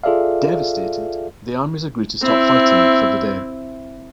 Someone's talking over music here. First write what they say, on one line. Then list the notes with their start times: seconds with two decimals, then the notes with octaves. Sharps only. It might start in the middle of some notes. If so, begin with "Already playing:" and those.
Devastated, the armies agree to stop fighting for the day.
0.04 F4 G#4 A4 D5 E5 F5
2.22 C4 E4